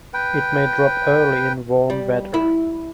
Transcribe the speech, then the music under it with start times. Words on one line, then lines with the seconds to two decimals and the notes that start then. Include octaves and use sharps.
It may drop early in warm weather.
0.14 B4 G5
1.90 G3
2.34 E4